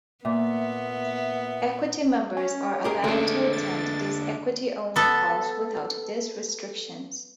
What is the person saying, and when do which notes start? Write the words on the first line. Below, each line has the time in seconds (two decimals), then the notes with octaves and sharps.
Equity members are allowed to attend these Equity-only calls without these restrictions.
0.25 A#2 B3 E5
2.37 C#4
2.84 G4 G#4 A#4
3.04 D3 G#3 A3 D4 G#4
3.53 A6
4.96 B3 A4